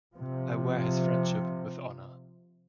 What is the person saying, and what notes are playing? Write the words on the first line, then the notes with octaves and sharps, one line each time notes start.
I wear his friendship with honor.
C3 F3